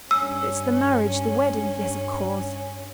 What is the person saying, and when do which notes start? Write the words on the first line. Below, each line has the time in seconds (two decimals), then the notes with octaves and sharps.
It's the marriage, the wedding ... yes, of course.
0.11 G2 C#4 E6